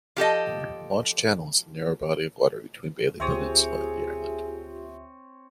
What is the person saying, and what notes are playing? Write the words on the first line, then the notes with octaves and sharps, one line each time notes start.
Launch Channel is the narrow body of water between Bailey Peninsula and the island.
F3 G4 A4 D#5
D2 C4 F4 G4 G#4 C#5 E5 D#6